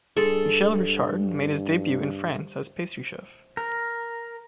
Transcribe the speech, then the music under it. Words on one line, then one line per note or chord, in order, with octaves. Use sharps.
Michel Richard made his debut in France as pastry chef.
G2 G#4 A4 C6
A#4